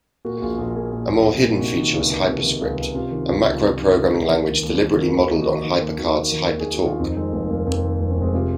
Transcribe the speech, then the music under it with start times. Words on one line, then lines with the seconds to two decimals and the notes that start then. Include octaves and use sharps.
A more hidden feature was HyperScript, a macro-programming language deliberately modelled on HyperCard's HyperTalk.
0.25 A#2 F#4 A#4
0.38 F#4
0.42 A#1 F4 G#4
0.58 A#1 F#4 A#4
0.76 A#2 F4 G#4
0.92 A#2
1.10 A#1
1.26 A#1
1.43 A#2
1.59 C3 D#4 F#4
1.76 D#3
1.93 C#2
2.10 C#2
2.27 C3
2.44 D#3
2.61 C#2
2.78 C#2
2.95 C3 C#4 F4
3.11 D#3
3.28 C#2 C#4 F4
3.46 C#2
3.62 C3
3.79 D#3
3.96 C#2
4.12 C#2
4.29 D#3
4.46 D#2
4.64 D#2
4.80 D#3
4.97 D#3 F#4 A#4
5.14 D#2
5.20 D#4 F#4
5.31 D#2
5.42 D#4 F#4
5.47 D#3
5.64 D#3
5.82 D#2
5.98 D#2 D#4 F#4
6.15 D#3
6.32 D#3
6.49 D#2
6.60 G#4
6.66 D#2
6.73 F#4
6.82 D#3 F4
6.99 F2 C4 D#4
7.16 D#3 G#3 C4
7.33 F1 A#3
7.50 F1 A#3
7.67 F2 A#3
7.84 D#3
8.01 F1 C4
8.11 C#4
8.17 F1 G#3 C4
8.34 C3 F4 G#4